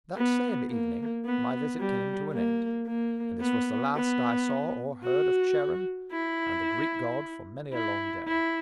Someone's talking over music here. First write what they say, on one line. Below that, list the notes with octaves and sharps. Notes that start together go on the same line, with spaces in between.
That same evening my visit came to an end, and this was the last I saw or heard of "Charon" and "the Greek god" for many a long day.
B3
A#3
B3
G3
A#3
A#3
B3
B3
F#4
E4
E4
E4